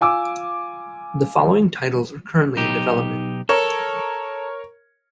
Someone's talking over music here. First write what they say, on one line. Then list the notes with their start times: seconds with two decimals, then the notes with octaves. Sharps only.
The following titles are currently in development.
0.01 F4 G#5 D6 E6
2.56 B1 D#4 G4
3.49 A4 A#4 C#5